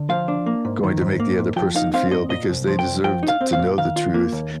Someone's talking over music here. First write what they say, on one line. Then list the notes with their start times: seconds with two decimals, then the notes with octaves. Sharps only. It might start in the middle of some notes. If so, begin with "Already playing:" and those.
going to make the other person feel because they deserved to know the truth.
Already playing: D3
0.09 F3 F5
0.28 D4
0.46 A#3
0.65 G#2
0.83 D#3
1.01 G#2
1.20 A#3
1.39 G#2
1.56 F3 G5
1.75 D#4 F5
1.94 C4 F5
2.11 G2 D#5
2.30 A#2 D#5
2.49 C2
2.67 F3
2.79 G5
2.85 C2
3.04 F3 G5
3.23 D#4
3.28 F5
3.41 C4
3.53 F5
3.59 A#2
3.78 D#3 F5
3.96 F4
4.14 A#3
4.33 D#2